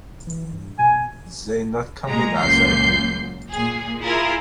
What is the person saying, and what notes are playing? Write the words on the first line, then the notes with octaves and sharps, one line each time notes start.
They're not coming, are they?
E1
E3
G2
B2 G#5
A#2 G#3 A#5
C#2 F#2 A#2 G6 C7
A#2 G#4
E4 F4 G#4 A#4